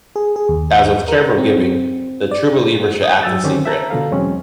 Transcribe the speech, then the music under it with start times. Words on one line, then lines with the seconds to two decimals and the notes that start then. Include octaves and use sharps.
As with charitable giving, the true believer should act in secret.
0.16 G#4
0.36 G#4
0.49 D#2
1.08 A#4
1.38 C4
2.31 D5
3.04 D#6
3.23 F#3 E6 A6
3.44 D3 D#3 C4 C#4 G4 C5
3.65 E5 A5 A#5
3.90 B2 D3 F3 A4 F5
4.11 E2 F#3 G#3 C4 C#4